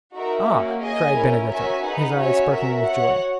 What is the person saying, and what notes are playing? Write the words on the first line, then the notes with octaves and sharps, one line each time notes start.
"Ah," cried Benedetto, his eyes sparkling with joy.
D#4 F#4 A#4 E5
A#3 C#4 F#4
G#4 D#5 G#5
C#4 E4 A#4
C#4 F#4 A#4 E5 G#5
D#4 G#4 B4 F#5
C#4 F#4 C#5 E5 G#5
F#4 A#4 E5
F#4 C#5 F#5